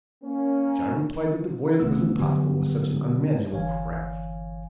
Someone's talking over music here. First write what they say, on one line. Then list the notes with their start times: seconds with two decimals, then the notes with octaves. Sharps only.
John replied that the voyage was impossible with such an unmanageable craft.
0.23 A#3 C#4
1.80 A#1 C3 D#3 A3 B3 E6
2.16 D3 F#3 B3 G4
3.52 G1 E3 C#5 F5 G#5